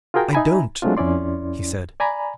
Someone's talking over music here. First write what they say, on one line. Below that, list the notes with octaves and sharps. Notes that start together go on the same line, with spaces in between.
"I don't," he said.
F4 F#4 G#4 A#4 G5
D#4 E5 G#5 A#5 B5
F#3 G#3 A3 C4 D4 F4
F2 C#4 E4 D5 C6
D5 G#5 A#5 B5